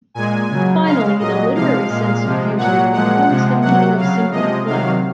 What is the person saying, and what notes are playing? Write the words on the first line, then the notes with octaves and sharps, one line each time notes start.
Finally, the literary sense of "fugitive" includes the meaning of simply "fleeing".
A#2 G#3 G#5
C#3 F#3
C#3 G#3 F5
A#2 F#3 D#5
C3 F3 G#3 F5
A#2 G#3
C3 F3 G#3
A#2 F#3 F#5
A#2 F3 G#3 F#5
C3 F3 G#3
C3 F#3 F#5
C#3 F#3 F5
C3 F3 G#3 D#5
C3 D#3 F#3 F5